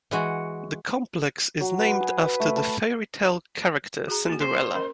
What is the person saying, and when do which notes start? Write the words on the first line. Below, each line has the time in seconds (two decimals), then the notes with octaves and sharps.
The complex is named after the fairy tale character Cinderella.
0.11 E3 G#3 F#4
1.61 F#3
1.78 B4
2.00 G#4
2.19 B4
2.40 A3
2.56 A5
4.08 F#4 G#4 A#5
4.29 A#3 F#4
4.42 C5
4.74 C#4 A#4 D#5